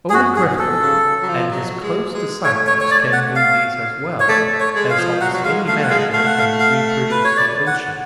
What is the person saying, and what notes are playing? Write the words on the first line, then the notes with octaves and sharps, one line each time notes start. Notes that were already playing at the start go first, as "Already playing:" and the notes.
Only Griffith and his close disciples can do these as well as almost any manager can reproduce the ocean.
G#4
F#2 F#4
G#2 G#4
B2 A4
C#3
F#3
F3
F#3
G#3
G#3
A3 C#5
C#5
C#5
D5
F#5
F5
C#5
A3 D5
A3
C#5
G#3
F5
F3
F#3 F#5
F#3
G#3 F5
A3 F5
F#5
G#3 F5
A3 F5
F#5
F5
F5
B4
C#5
D5
F#5